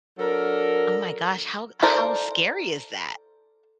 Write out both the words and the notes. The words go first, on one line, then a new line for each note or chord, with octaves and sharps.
Oh my gosh, how how scary is that?
F#3 D4 A4 A#4
A4 A#4 C5 D5